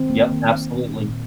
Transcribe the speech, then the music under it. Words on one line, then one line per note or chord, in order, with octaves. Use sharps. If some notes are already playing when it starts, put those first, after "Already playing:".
Yup, absolutely.
Already playing: D#3 C4
A#3
D#3
A#3
A#2
A#2